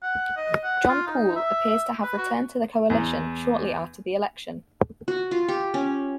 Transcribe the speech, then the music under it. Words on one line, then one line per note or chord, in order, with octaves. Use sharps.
John Poole appears to have returned to the coalition shortly after the election.
F#5
D#5
F#5
F4
D#4
E5
B4
F#4
E2
F#4
F4
G4
C#4